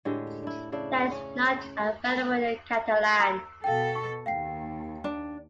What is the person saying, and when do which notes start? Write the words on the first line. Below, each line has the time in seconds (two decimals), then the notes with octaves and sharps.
That is not available in Catalan.
0.05 A2 D3 G#3 G4
0.43 D4 E4
0.72 C#3 D4 E4
1.11 C#4
3.20 A#5 E6
3.64 B2 A4 F5 G5
3.95 C#6
4.26 D#2 F5 G5 C7
5.04 D4